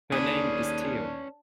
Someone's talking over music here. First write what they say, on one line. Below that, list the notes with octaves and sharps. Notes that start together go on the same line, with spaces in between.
Her name is Teo.
D#2 C#4 D4 G#4 B4